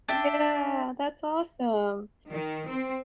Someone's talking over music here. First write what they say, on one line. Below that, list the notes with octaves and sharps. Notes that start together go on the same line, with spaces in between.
Yeah, that's awesome.
D4 E5 G5
D#3
C4